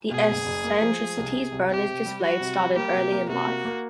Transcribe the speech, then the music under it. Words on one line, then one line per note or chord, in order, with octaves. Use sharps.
The eccentricities Berners displayed started early in life.
B2 G#4
F#1
F#1
A#3
F3
F3
C2
C3
C2
C3 G4
C3
G3
G3 F#4
C3
G3
A#3 G4
C3
A#3
C3 F#4
A#3
A#3